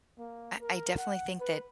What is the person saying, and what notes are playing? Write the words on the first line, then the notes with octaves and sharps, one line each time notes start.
I I definitely think that
A#3
A#4
F#5
B4